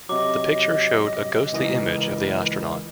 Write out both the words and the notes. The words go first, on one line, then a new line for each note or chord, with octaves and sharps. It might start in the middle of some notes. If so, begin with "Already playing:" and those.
The picture showed a ghostly image of the astronaut.
C3 F#3 D#5 D6
C#2 E3 A#4 D#5